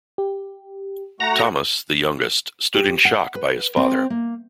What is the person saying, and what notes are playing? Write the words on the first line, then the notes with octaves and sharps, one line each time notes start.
Thomas, the youngest, stood in shock by his father.
G4
A3 F#4 F#5 A#5
G4
F#5
B4
C4
A#3